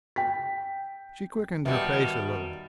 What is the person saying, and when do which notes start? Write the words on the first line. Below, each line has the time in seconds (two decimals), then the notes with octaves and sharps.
She quickened her pace a little.
0.16 G5 B6
1.65 B2 D#3 G3 E5